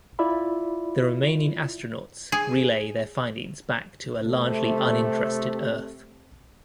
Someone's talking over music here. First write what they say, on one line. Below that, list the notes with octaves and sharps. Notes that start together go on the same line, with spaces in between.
The remaining astronauts relay their findings back to a largely uninterested Earth.
E4 F4 D5 E5 B5
G#4
C3 A3